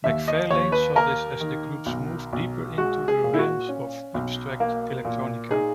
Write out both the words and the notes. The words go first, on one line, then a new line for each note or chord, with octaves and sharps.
McFarlane saw this as the group's move deeper into the realms of abstract electronica.
D#2 E5
D#5
D#2 C#5
B4
A#3 A#4
D#3
B1
B1
G#3 F#4
G#4
A#2
E4
F#4
C#4
B1
A#3
A#2
D#4 G#4